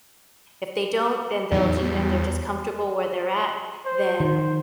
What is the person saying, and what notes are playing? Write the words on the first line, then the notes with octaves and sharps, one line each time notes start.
If they don't, then they'll ju and they're just comfortable where they're at, then,
E2 A2 F#3 D#4
G3 B3
C5
D#3 C5